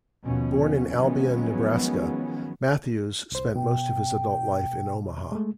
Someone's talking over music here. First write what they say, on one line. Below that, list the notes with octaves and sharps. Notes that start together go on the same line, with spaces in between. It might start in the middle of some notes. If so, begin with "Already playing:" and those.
Born in Albion, Nebraska, Matthews spent most of his adult life in Omaha.
D#2 B2 F3 C#4
D#3 F3 F#3 G#3 B3 C#4
C2 C5
B2 G5
G#3 A3